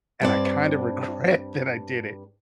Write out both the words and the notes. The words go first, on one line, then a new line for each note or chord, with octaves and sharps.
and I kind of regret that I did it.
G2 C4 D5